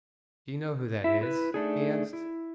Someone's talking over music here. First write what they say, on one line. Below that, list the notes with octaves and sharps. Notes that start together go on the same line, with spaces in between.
"Do you know who that is?" he asked.
E4 E5
E4 B4
A3 D4 D#4 G#4
E4